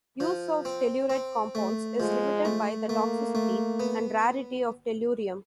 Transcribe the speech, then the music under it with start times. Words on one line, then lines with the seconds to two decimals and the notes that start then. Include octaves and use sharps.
Use of telluride compounds is limited by the toxicity and rarity of tellurium.
0.20 F3
0.65 C4
1.10 C4
1.55 A3
2.00 F3 G#3
2.45 A3
2.89 A3 A#3
3.35 A3
3.80 B3